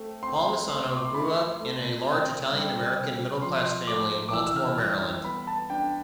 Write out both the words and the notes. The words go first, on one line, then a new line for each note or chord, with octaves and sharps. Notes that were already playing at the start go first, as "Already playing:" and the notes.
Palmisano grew up in a large Italian-American middle class family in Baltimore, Maryland.
Already playing: A3 C4
C4 C6
A3 C6
D6
C6
E4 B5
A3
C4
G3
C4
F3 C6
A3 D6
D6
E3 E6
E6
F6
G3 F6
B3 B5
A5
D4 G5